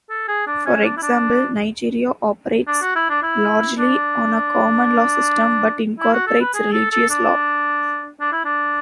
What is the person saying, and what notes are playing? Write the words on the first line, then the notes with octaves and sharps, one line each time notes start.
For example, Nigeria operates largely on a common law system, but incorporates religious law.
A4
G#4
D4
C#4
D4
E4
D4
D4
F#4
E4
D4
E4
D4
E4
F#4
A4
B4
G#4
A4
A4
D4
D4
E4
D4